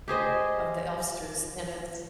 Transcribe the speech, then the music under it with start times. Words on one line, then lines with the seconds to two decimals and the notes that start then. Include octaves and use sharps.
of the Elfsters and it's
0.08 G4 G#4 C5 D#5